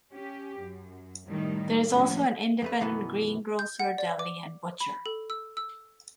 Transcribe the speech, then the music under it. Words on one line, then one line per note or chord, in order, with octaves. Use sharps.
There is also an independent green-grocer, deli and butcher.
C#4 G4
F#2
A2 D#3 G3 D#4
D2 A2 F3 A#3 C#4
F2 A3 B4
F#2 B2 D#3 E3 B3
G6
F#5
D5
D6
B5
A4
E6
E6